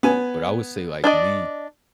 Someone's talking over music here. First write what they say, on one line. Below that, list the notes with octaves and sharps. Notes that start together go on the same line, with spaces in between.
but I would say like me,
B3 G#5
D4 D5 D#5